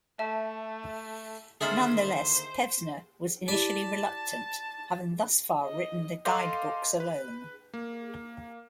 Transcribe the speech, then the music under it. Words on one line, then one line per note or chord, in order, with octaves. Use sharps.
Nonetheless Pevsner was initially reluctant, having thus far written the guidebooks alone.
A3 E5 A5
D3 D#3 A#3 G#4 C5 E5 B5
E4 G4 D5 A5 B5
D#5
A4 D#5 F5 C6 D6 G6
B4
A#3